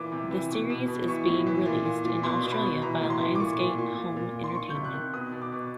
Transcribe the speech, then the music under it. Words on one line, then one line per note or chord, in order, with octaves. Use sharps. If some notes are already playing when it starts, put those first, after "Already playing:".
The Series is being released in Australia by Lionsgate Home Entertainment.
Already playing: A#2 E3 D6
C3
E3
B2
B2
B2
E3 C#6
A2
E3
A#2
A#2
A#2
B2 C6
B2
B5
B2
E3 A#5
A2
C6
E3
D6
A#2 C#6
A#2
A#2
A#2
A#2
A#2
C6
D#3 C#6
C3 G6
F#6
D#3
B2 D#6
B2
D6
B2